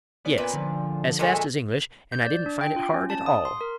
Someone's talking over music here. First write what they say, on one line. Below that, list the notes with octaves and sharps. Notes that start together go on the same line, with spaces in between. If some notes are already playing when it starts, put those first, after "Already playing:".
"Yes, as fast as English--and I didn't find it hard at all."
B3 C#4 D5
A#2 B4
D3 F3
A#2 G#3 A3 E5 G#5
G6
D5
D4
G5
F4
C#4
A5
D#6
C6
A#4